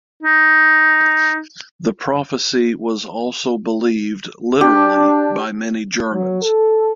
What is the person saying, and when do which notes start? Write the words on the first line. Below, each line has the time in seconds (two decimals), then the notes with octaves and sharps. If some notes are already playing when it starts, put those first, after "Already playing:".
The prophecy was also believed literally by many Germans.
0.23 D#4
4.61 D4 G4
6.13 F#3
6.43 A4